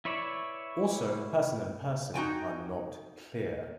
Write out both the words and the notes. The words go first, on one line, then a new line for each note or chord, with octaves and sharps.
Also, Person and Person are not clear.
E4 B4 C#5 D5 E5
D#4 F#4 G5 G#5